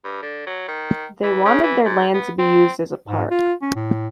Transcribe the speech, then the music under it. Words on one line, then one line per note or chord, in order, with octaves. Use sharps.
They wanted their land to be used as a park.
G2
D3
F#3
D#3
E3
C#3
E3
G#2
B3
C4
G#2
F4
C#4
A2